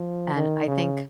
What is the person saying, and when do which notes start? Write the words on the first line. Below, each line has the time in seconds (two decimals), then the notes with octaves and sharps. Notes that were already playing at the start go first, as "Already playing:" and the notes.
and I think
Already playing: F3
0.35 D#3
0.67 C#3